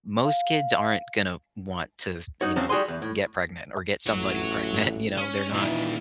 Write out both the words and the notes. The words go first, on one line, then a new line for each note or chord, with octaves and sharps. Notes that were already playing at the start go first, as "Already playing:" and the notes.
most kids aren't gonna want to, you know, get pregnant or get somebody pregnant. You know? They're not
F5
D#4 F#4 C#5
F3 F#3 C4 C#4
G3 F#4 G#4 G#5 C6
E2
A2
A1 F#4 C#5
C#4
A#2 D#3 E3